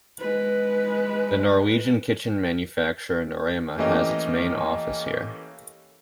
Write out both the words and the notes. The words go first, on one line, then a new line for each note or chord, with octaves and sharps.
The Norwegian kitchen manufacturer Norema has its main office here.
G#3 B4
E3 A3 A#3 C#4 G4 D#5